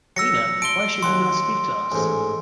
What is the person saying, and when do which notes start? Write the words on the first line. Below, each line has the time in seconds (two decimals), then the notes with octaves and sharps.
Ada, why should you not speak to us!
0.16 F#3 E6 A#6 C#7
0.62 A5 C6 D7 G7
1.03 D#2 F#5 C6 D6
1.92 A1 G#2